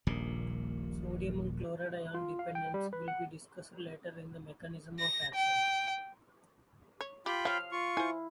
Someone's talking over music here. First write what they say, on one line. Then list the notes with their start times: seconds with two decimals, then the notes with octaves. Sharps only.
Sodium and Chloride ion dependence will be discussed later in the mechanism of action.
0.07 D#1 A#1 A#2
2.14 F4
2.39 F5
2.55 G5
2.74 G3
2.93 B4
3.08 F#5
4.99 A#6
5.35 G5
7.01 C#5
7.26 F4 G4 G5 B5
7.45 F3 C#5 F5
7.72 F4 C#6
7.97 E4 C5 G#5